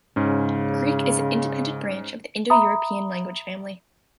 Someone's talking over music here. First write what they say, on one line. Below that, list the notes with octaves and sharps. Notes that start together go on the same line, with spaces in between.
Greek is an independent branch of the Indo-European language family.
G#2 C#3 C#4
E5 A#5 B5 D#6